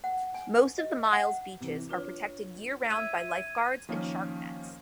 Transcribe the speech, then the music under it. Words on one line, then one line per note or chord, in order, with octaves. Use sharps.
Most of the Mile's beaches are protected year-round by lifeguards and shark nets.
F#5
G#5
D#5
F#5
C3 E3
D4 F4 B4 C#5
E5 G#6 D#7
D#3 F3 A#3 C#4